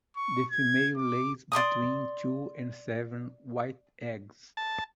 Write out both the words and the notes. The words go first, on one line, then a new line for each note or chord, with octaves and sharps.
The female lays between two and seven white eggs.
C#6
G#6
D6
D5 C6 D6 D#6
A5